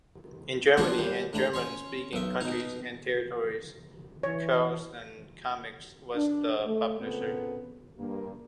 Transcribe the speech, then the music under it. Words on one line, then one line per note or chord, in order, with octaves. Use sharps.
In Germany and German-speaking countries and territories, Carlsen Comics was the publisher.
A#2 F3 G3 B3 D4 F#4
D#2 G3
A2 D3 A#5
C#4 C#5 C6
B1 E5
B2 D#4
E3 C#5
D4
A3
A#2 C#3 B3 C4 A4
G2 A#3